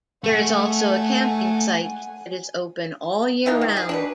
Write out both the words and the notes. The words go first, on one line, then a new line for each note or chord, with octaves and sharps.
There is also a camping site that is open all year round.
A3 F#5 G#5
E3 A#3 D#4 F4
D#3
G#4
D4 F#4 B4